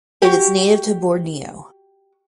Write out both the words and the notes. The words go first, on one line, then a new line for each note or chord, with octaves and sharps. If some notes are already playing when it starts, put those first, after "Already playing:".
It is native to Borneo.
F#4 G4